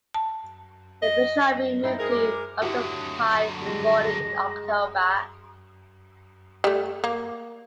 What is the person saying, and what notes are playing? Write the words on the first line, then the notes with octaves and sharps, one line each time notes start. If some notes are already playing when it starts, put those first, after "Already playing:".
The Finnish Army moved to occupy Reboly in October.
A5
D#5
D#4 E4 C5 G5
G#3 G#4 A#4
D6
D3 F#3 E4 F#4 G4 D#6
G3 G#3 G4 A#6
G3 A3
A#3